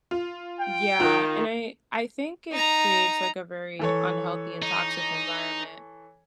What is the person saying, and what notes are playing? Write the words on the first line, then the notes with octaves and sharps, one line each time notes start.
yeah, and I I think it creates, like, a very unhealthy and toxic environment,
F4
G5
D#3 F4
D#4 A#5
E3 A4 C#5
D#4